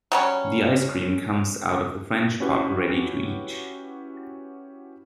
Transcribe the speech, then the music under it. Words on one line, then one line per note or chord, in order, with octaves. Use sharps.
The ice cream comes out of the French Pot ready to eat.
F#3 G3 C#4
C#4 E4 F#4 G4 B4